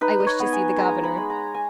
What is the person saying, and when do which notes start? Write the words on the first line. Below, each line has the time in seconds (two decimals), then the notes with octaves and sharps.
"I wish to see the governor."
0.01 D#4 B4
0.20 D#5
0.27 C#5
0.40 B3
0.53 G#5
0.77 G#3 A#5
1.04 B5
1.17 G#3
1.30 A#5
1.54 G#5